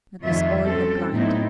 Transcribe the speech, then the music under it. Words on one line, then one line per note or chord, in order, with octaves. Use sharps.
That was all a blind.
F2 D#3 F4 C#5 E5
G3 C4 C#4 F#4 A4
A2 F#3 B3 C4 D#4 E4